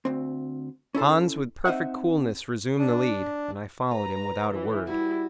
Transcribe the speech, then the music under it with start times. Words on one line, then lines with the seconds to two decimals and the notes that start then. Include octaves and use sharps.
Hans with perfect coolness resumed the lead, and I followed him without a word.
0.05 D2 C4
0.95 C#4 E4 A4 C5
1.65 C4 D#4 E5 F#5
2.77 D4
3.91 B4 A#5
4.52 E3
4.87 G3 E4 F#4